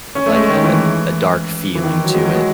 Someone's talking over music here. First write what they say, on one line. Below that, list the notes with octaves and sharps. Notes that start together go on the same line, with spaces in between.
of like a a dark feeling to it.
C#4
A3
G#3
D#3
E3
E3
D#3
F#3
G#3
F#3
G#3